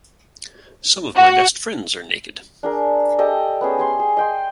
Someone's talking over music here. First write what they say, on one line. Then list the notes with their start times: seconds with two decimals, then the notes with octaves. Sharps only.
Some of my best friends are naked.
1.16 F#4
2.63 D4 G#4 A#4
3.19 G4 A4 D5 D#5
3.61 B3 C#4 G#4
3.78 G4 G#5 C6
3.99 G#4
4.17 D#5 G5 C6